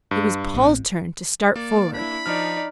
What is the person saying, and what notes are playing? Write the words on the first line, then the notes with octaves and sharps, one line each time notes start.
It was Paul's turn to start forward.
G2
A1 C4
A#3 D5
D4 E4 B5
F3 D#4 D5 F6